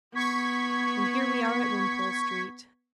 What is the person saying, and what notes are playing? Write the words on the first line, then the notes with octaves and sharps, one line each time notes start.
And here we are at Wimpole Street.
B3 C#6 G#6 B6